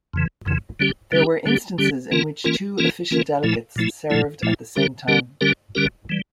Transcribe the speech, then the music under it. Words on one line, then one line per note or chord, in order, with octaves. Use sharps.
There were instances in which two official delegates served at the same time.
F2 C#3 E3
F2 C#3 E3
D3 G3 C#4 G4
D3 G3 C#4 G4
D3 G3 C#4 G4
D3 G3 C#4 G4
E3 A#3 C#4 F4 A#4
E3 A#3 C#4 F4 A#4
E3 A#3 C#4 F4 A#4
E3 A#3 C#4 F4 A#4
A#2 F3 A3 E4
A#2 F3 A3 E4
A#2 F3 A3 E4
A#2 F3 A3 E4
D3 G3 C#4 G4 A#4
D3 G3 C#4 G4 A#4
D3 G3 C#4 G4 A#4
D3 G3 C#4 G4 A#4
E3 G3